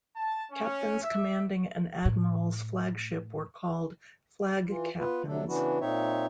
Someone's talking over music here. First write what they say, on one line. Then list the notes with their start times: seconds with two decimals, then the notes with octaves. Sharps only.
Captains commanding an admiral's flagship were called "flag captains".
0.16 A5
0.52 C#4
1.03 E5
2.05 A2
4.69 E3 F4
4.99 B3 F4 B4
5.27 C3 F#3 A3 D4 A4
5.48 C#3 E3 B3 D4 E4 F#4
5.81 A#2 C4 D#4 C#5 E5